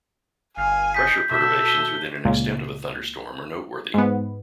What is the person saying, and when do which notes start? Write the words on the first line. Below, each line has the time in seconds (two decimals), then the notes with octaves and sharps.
Pressure perturbations within an extent of a thunderstorm are noteworthy.
0.58 G1 F5 G#5
0.94 D#4 G6 B6
1.31 B2 A4 E5
1.68 G7
2.25 C#2 A#2
3.94 G#2 B3